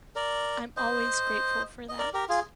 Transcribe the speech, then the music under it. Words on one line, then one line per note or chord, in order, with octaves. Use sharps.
I’m always grateful for that.
A#4 D5
C5 D#5
D#5
A#4 D5
G4 A#4
F4 G#4